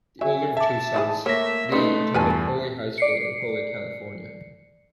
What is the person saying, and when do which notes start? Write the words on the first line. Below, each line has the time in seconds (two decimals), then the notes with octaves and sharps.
The older of two sons, Lee attended Poway High School in Poway, California.
0.21 F#3 E5 G#5
0.57 E5 A5 D6
0.94 D#3 E3 G#4
1.26 A3 A#3 C#5 E5 A#6
1.72 C#3 G3 A3 D#4 B4 C6
2.14 E2 G2 A#4 B4 G#5 A5
2.98 D5 C7 C#7